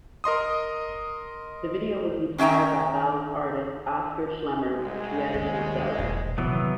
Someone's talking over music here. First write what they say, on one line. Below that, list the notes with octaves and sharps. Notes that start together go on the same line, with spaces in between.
The video was inspired by Bauhaus artist Oskar Schlemmer's Triadisches Ballett.
A#4 D#5 C6 D#6
D#3 C#4 E5 G5 A#5
C2 G#3
D#2
E1 A#1
C3 D#3 E3 F#3 B3